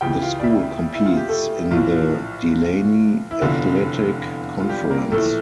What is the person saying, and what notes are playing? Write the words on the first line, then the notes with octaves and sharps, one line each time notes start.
The school competes in the Delaney Athletic Conference.
C#2 C#3 E3 G4 G5
F4 F5
D5
E4 E5
E4
F4
G4
A3 A4
A#1 A2 E3 F4
E4
F1 E2 D3 F4
F4
G3 G4
A#3 A#4
A#1 A2 E3 A3 A4